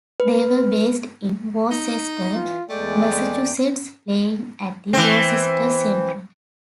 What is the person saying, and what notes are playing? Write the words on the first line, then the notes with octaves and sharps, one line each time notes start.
They were based in Worcester, Massachusetts, playing at the Worcester Centrum.
B4
D#4
E3 F4
E2 G#3 A3 D5 G5
E3 C4